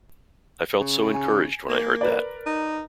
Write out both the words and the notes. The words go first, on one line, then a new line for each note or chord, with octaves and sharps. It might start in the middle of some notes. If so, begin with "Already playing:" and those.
I felt so encouraged when I heard that.
C#3
G#5
A#3
A#4 B4 D5
D#4